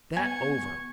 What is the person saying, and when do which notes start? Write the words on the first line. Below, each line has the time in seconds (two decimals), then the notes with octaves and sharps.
That over!
0.17 B3 G#5 C#6 G#6